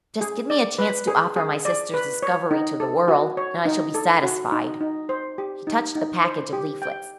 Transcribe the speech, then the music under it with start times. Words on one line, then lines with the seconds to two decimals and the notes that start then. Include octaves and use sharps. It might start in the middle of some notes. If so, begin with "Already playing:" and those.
"Just give me a chance to offer my sister's discovery to the world, and I shall be satisfied!" He touched the package of leaflets.
0.21 G#4
0.50 D5
0.79 B4
1.07 G#4
1.36 G#4
1.65 D5
1.94 B4
2.23 C#5
2.51 D#4
2.80 A4
3.08 F#4
3.37 C#5
3.65 D#4
3.95 A4
4.23 F#4
4.52 D#4
4.81 D#4
5.09 C5
5.38 G4
5.67 D#4
5.95 D#4
6.24 C5
6.53 G4
6.82 G5